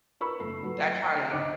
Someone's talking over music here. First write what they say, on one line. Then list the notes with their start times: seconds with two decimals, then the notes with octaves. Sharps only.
that kinda
0.20 F4 A#4 B4 B5 C#6 E6
0.40 F#1 A3 C7
0.63 F#3 A4 B4
1.02 G5
1.30 D2 D#5 D6 F#6 C#7 D7